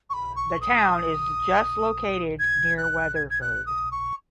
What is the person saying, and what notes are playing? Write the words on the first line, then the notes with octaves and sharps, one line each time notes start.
The town is just located near Weatherford.
C#6
B5
C#6
D#6
G#6
F#6
G#6
G#6
F#6
D#6
C#6